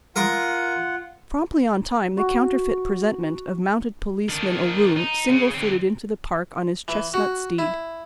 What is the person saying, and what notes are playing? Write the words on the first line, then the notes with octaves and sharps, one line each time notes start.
Promptly on time the counterfeit presentment of Mounted Policeman O'Roon single-footed into the Park on his chestnut steed.
F4 A#4 F#5 C6 D#6
F#4
D#3 D4
D#4
C#3
D3 C4
E3
F#4
E4